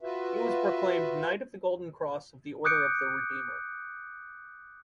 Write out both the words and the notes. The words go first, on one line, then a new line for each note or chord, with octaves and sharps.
He was proclaimed "Knight of the Golden Cross of the Order of the Redeemer".
F4 F#4 B4 E5
D6 D#6 F#6 G6 C#7 D7